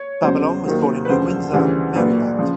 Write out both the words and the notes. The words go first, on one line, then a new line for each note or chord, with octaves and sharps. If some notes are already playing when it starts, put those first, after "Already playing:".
Babylon was born in New Windsor, Maryland.
Already playing: C#5
E2 C#3 F#3 C5
D#2 D#3 F#3
B4
E1 D2 C#3 F3 C5
D2 C#3 E3 G3
A#1 A#2 F#3 B4
C#3 F3